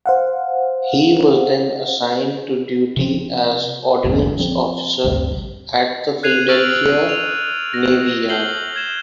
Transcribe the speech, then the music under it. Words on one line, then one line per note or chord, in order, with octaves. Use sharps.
He was then assigned to duty as Ordnance Officer at the Philadelphia Navy Yard.
C5 F5 F#5
C3 F3 C4
G#1 E2 G2 A#2
F3 C4
A1 D2 G2 C3
F#6 G#6 C7 D#7 F7 F#7
C#6 E6 F6 A6 D7 F#7
F7
A#6
F6 G6 C7 F#7 G7
F6 G#6 E7